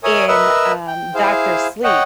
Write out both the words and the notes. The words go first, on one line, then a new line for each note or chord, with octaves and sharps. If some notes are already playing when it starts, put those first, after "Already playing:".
in, um, Doctor Sleep.
A#4 C#5 E5 G#5 D#6
A#4 B4 D#5 E5 E6
G5
E4 G#4 C5 F5
C#5 D#5 F#5 G5